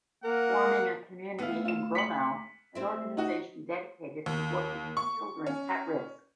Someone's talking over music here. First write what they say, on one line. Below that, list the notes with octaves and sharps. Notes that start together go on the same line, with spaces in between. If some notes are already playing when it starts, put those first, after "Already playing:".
Forming a community in Gronau, an organization dedicated to working with children at risk.
A#3 A#4 F#5
D2 A3 B3 E4 F5
F4 E7
B6 C#7 F#7
A3 C4 E4
D#4 F#4
D#2
C#6
C#4